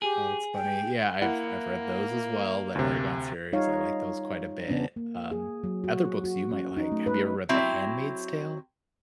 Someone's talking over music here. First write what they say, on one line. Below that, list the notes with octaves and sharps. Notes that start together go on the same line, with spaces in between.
Oh, it's funny. Yeah, I've I've read those as well, the Eragon series, I like those quite a bit, um, other books you might like, have you ever read The Handmaid's Tale?
G4 G#4
G5
A#3 E4 F#5
D2 C3
G3 D#4 F4 C#5 F5
C#3 B3 C#4 D4
A#3
G#4
F#3
F#4
F#4
C#4
D#4
A3
B4
F#3 C4 E4 E5